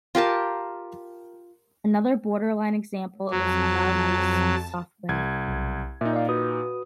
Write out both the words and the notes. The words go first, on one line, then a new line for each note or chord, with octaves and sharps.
Another borderline example is cloud based software.
F4 G4 A#4 A5
F2 F#3 A5
C2 G#6
B1
A#2 D#4 E5
D5 F5
F#4 B4 D#6